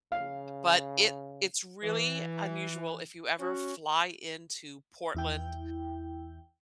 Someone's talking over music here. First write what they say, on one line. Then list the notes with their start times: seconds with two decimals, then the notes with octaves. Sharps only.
But it it's really unusual if you ever fly into Portland,
0.12 C#3 F5
1.83 E3
3.39 C#4 F#4
5.15 E2 E4 G5